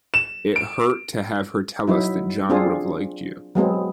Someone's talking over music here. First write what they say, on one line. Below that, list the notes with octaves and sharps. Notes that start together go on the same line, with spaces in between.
It hurt to have her tell us that John would have liked you.
E7
D7
F#3 D#4 E4
C4 D4 F4 G#4
F#3 G#3 B3 C4